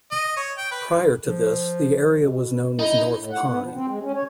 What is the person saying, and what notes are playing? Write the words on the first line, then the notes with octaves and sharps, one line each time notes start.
Prior to this, the area was known as North Pine.
D#5
C#5
G5
B4
F3
B2
D#4 E4
A2
F#5
B3
F3
C4
G#3
C#4
C#5